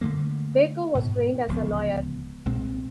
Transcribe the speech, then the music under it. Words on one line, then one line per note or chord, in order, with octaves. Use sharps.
Baker was trained as a lawyer.
D3 D#3 A3 A#3
G#2 B2
D1 C#2 F3 B3
B1 A#2 G#3 C4